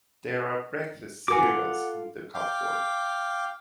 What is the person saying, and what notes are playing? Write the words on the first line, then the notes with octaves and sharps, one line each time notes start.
There are breakfast cereals in the cupboard.
F#4 A#4 F#5 G#5 D6
F4 A4
F5 G5 D6